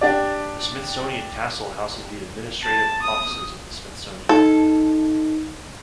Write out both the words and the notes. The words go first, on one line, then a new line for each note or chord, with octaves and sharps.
The Smithsonian Castle houses the administrative offices of the Smithsonian.
D4 G4 D5
A5
D#6
D#4 A4